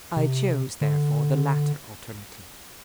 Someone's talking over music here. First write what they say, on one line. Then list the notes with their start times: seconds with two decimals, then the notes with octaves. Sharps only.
I chose, therefore, the latter alternative.
0.17 C3
0.82 D3